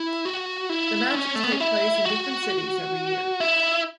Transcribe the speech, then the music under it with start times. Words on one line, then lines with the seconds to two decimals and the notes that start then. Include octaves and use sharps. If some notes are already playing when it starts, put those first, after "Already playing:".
The matches take place in different cities every year.
Already playing: E4
0.25 F#4
0.69 E4
1.15 C#4
1.35 A3
1.44 B3
1.52 C#4
1.60 E4
2.05 F#4
3.40 E4